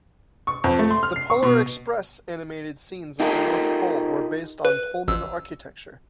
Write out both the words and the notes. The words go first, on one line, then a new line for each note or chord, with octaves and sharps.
"The Polar Express" animated scenes at the North Pole were based on Pullman architecture.
C#6
F2
A3
C6
F6
C7
C#6
B2
D#4 F4 G4 A4 A#4
B4
A1 E6